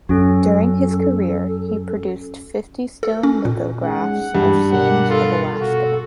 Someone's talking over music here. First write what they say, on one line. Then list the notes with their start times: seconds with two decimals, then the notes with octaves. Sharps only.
During his career, he produced fifty stone lithographs of scenes of Alaska.
0.09 F#2 C#4 F#4 A4
3.03 A4
3.23 C#4
3.45 A#2
3.83 G#3 C#4 D#4 G#4 F#5
4.35 G2 E3 G4
4.72 C#2 B2 A#4 F#5
5.10 F4 A4
5.61 B2 F#4